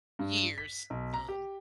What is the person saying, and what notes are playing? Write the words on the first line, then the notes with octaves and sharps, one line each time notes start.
years, um.
G2
B6
B1
A#5
G4